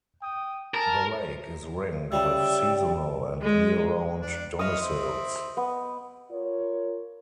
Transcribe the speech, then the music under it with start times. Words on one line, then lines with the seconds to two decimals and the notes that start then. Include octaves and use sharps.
The lake is ringed with seasonal and year-round domiciles.
0.23 G5 D#6
0.74 A#4 G#5 A5
2.12 C#3 G3 D5 E5 G5
3.42 G#3
4.22 D4
4.59 E4 C#5 D#5 F5 D#6
4.80 C4 E4
5.57 B3
6.31 F4 A#4 C#5